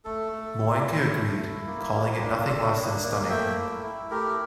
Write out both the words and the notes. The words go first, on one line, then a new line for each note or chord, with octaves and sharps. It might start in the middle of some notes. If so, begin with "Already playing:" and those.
Moehnke agreed, calling it "nothing less than stunning".
A3 A4
A3
E4
A3
E4
E4
A#3
F4
D4
D4 A4
A#3
A#3
A3 E5 G5
E4
E4
A3 G4 A#4